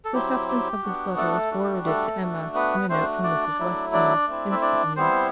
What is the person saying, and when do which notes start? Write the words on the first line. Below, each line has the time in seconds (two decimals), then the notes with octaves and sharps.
The substance of this letter was forwarded to Emma, in a note from Mrs. Weston, instantly.
0.05 A4
0.13 F#3 C4 E4 G4
0.48 G4
0.83 B3 D4 F#4
1.17 A3 A4
1.51 G3 D4 F#4
1.85 A3 A4
2.21 A3 D4 F#4
2.55 B3 B4
2.89 A3 C4 D4 F#4 C5
3.23 D4 D5
3.59 F#3 A3 E4
3.93 D4 D5
4.27 A3 C4 E4
4.52 E5
4.62 D4 D5
4.96 G3 B3 C4 E4 C5